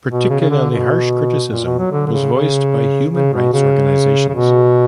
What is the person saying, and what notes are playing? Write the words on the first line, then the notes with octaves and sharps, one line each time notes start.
Particularly harsh criticism was voiced by human rights organizations.
B2
C#3
C#3
D3
B2
A#2
B2
F#3
D3
D3
C#3
C#3
C#3
B2
C#3
C#3
B2